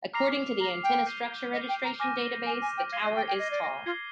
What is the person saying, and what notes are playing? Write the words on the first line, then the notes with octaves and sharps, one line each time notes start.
According to the Antenna Structure Registration database, the tower is tall.
A#5 D6 F6 C7 F7
A#5
G5
G6 C7 D#7 G7
D#5
G5
A#5
G#5 D6 F6 A#6 D#7
G#5
G#5
G5
F5 G#6 C7 D#7 G7
D#5
G5
G5
D#5
D5
D#5
F4 G#6 C7 G7